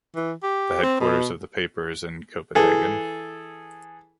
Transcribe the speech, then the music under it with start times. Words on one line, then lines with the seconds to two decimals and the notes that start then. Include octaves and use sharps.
The headquarters of the paper is in Copenhagen.
0.15 E3
0.43 G4
0.83 C4
1.00 B2
2.55 E3 G#4 A4